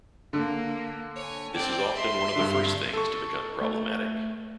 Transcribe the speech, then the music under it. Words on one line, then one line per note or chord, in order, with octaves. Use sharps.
This is often one of the first things to become problematic.
D3 A#3
C#5 G#5
C4 D5 G5
E5 C6
G2 D3
A4 C#6
A3